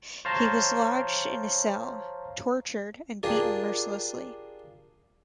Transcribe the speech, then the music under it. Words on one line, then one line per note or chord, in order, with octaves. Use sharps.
He was lodged in a cell, tortured and beaten mercilessly.
C5 C#5 F5 A5 A#5
D4 F4 G4 G#4 A#4